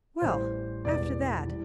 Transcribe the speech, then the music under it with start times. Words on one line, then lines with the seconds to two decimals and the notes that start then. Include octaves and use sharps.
Well, after that...
0.22 A1 A2 E3 G3 C5
0.84 E1 E2 E3 G3 D5
1.47 E3 G3